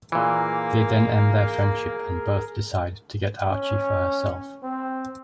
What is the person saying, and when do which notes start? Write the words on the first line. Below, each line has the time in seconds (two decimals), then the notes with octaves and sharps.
They then end their friendship and both decide to get Archie for herself.
0.12 A#2 E3 A#3 G#4 A#4
3.51 C#4
4.63 C4